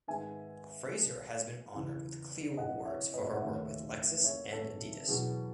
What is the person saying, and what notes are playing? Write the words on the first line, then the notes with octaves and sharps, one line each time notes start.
Fraser has been honored with Clio awards for her work with Lexus and Adidas.
G#2 D#3 G#3 B3 E5 G#5
E2 C#3 E3
D#5 F#5
C#5 E5
B4 D#5
F#5
D#2 D#3 A3 C#5 E5
C#5 E5
A4 C#5
E2 B2 F#3 B3 G#4